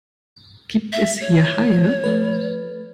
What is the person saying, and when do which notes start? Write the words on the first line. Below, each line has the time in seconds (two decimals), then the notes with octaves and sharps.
Gibt es hier Haie?
0.92 E5
1.21 C#5
2.04 F3 A3 B4